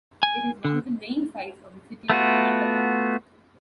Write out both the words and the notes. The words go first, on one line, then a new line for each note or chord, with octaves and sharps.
It is one of the main sights of the city of Macapa.
G#5
D3
A3 B3 F4 F#4